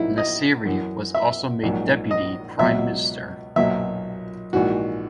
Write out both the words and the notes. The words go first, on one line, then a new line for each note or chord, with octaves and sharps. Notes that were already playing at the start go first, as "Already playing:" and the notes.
Nassiri was also made deputy prime minister.
Already playing: A#1 F#3 D#4 E4
D#5
F#2 E3
E5
A#1 G#2 F#3
D#5
C#2 B2 F#3 E5
B1 A#2 F#3 E5
A#1 G#2 E3 F#4